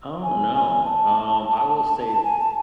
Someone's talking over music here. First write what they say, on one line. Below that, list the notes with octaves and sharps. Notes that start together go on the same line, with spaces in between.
I don't know. Um, I will say
G#5
G#5
A5
A5
G#5
A5